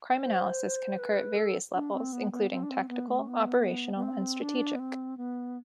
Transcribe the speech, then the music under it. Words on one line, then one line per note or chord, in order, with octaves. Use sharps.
Crime analysis can occur at various levels, including tactical, operational, and strategic.
C5
B4
A4
D4
C4
B3
B3
C4
D4
C4
B3
A3
B3
B3
C4
D4
B3
C4
B3